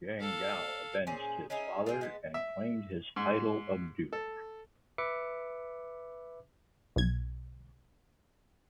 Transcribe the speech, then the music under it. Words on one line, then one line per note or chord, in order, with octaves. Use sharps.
Yang Guo avenged his father and claimed his title of duke.
A4 F5
A#2 C#4 G#4 C5
C#4 D#4 E4 G#4
F4 G#4 C5 G5
G#3 B3 A5
E5
G#2
A4
B4 E5 D6 C#7
B1 G#6